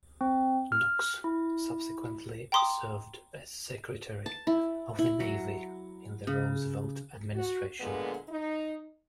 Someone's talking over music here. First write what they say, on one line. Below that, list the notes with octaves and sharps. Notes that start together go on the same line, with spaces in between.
Knox subsequently served as Secretary of the Navy in the Roosevelt administration.
C4
F6
E4
G5 A#5 C6 D6 D#6
A5
E4
E4
F#3
C#3
F#4
A#2 D3 G#3 B3
D#4